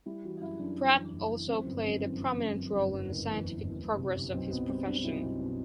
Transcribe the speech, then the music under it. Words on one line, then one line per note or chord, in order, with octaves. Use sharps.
Pratt also played a prominent role in the scientific progress of his profession.
G3 E4
E3 F#4
F#2 E4
F#2 D4
F#2
E3
F#1
E3
F#2 C4
G1
F#2
E3
E3
F#2
F#2
G1
F#1
F#1
E2
F#1
F#1
F#1
C3
F#1
B1 C4
B1 B3
G3 C4
B1 D4
D4
B1 E4
B1
B2